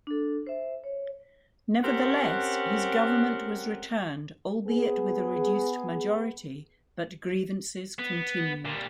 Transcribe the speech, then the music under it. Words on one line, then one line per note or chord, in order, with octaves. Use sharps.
Nevertheless, his government was returned, albeit with a reduced majority but grievances continued.
D4 A4
C5 E5
C#5
C4 C#4 G4 A#4 F#5
B3 G#4
B3
A#2 G3